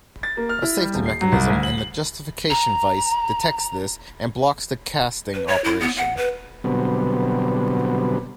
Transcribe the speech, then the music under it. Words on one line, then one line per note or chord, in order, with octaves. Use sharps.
A safety mechanism in the justification vise detects this and blocks the casting operation.
A6
A#3
F6
E4
G3
D#1
C7
F#3
C2
D2
F#7
F#7
A#5
B4
C#5
E4
B3
F#5
B4
B2 D3 F#3 G3 B3 C4